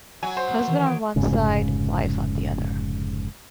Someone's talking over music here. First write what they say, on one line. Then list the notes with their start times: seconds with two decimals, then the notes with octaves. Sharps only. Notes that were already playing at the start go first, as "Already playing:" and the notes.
Husband on one side, wife on the other.
0.23 F#3 G#5
0.37 C5
0.67 D#3 E3
0.83 D#6 G#6 D7
1.16 F1 G#2 C#3